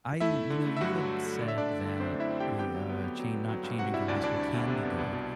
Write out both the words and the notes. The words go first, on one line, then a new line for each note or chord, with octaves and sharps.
I you know, you had said that y uh, chan not changing from high school can be good,
A3 E4 E5
A3
D3
A3
E5
G2 F#4 F#5
F#3
A3
A3
D3 D5
E5
D3 D4 D5
D3
D3
F#2 C4 C5
A3
E4 E5
C4
D3 G4 G5
B3 G4 G5
F#3
B3
B3
F#3
B3
F#3
G2
C3 F#4 F#5
G3 E4 E5
D2 D4 D5
D2 D4 D5
D2
D2
C3
B3
C2
B2